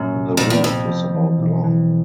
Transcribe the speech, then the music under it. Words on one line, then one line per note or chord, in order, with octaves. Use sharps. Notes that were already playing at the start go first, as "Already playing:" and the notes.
The route is about long.
Already playing: F#2 A#2
C2
F2 A#2
E2
C2 F2
F3
E3
B1
E3